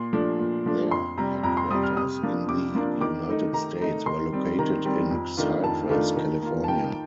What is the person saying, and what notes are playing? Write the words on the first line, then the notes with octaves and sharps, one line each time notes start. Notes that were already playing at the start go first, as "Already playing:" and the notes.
Their headquarters in the United States were located in Cypress, California.
Already playing: A#2 C6
F3 A3 D4
A#2
F3 A3 D4
F2 C6
C3 G3 A#5
F2 A#5
C6
C3 G3 D#6
F6
C3 D#6
F3 A#3 D4 F4
C3 D6
F3 A#3 D4 F4
D#3 D6
A3 D#4
D#3 A#5
A3 D#4
D#3 C6
G3 C4
D#3 A#5
G3 C4
F2
D#3 A3 D4 F4
F2 A5
D#3 A3 D4 F4
D#3
A#3 F4
A5
D#3 G5